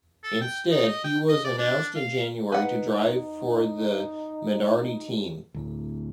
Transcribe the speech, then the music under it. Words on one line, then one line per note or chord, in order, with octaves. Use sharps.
Instead, he was announced in January to drive for the Minardi team.
A4
G5
D#4
D#5
G5
D#5
D5
D4
F5
D#4 B4 F#5
D1